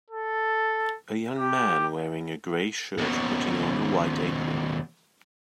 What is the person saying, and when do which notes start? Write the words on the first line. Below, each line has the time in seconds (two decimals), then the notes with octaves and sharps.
A young man wearing a gray shirt putting on a white apron.
0.10 A4
1.38 G4
2.98 D#2 B2